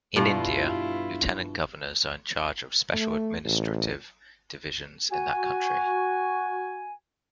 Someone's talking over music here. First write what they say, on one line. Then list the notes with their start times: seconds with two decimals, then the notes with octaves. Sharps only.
In India, lieutenant governors are in charge of special administrative divisions in that country.
0.16 G2 B2 E4 F4
2.94 A3
3.45 A1
5.11 F#4 G#5